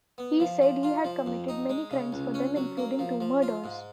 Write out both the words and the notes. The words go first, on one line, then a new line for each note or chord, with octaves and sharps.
He said he had committed many crimes for them, including two murders.
B3
F3
F3
F4
F3
F2
D#4
G#3
C#3
C#2
C#4
F#3
A#3
F3
F3
F4
G#2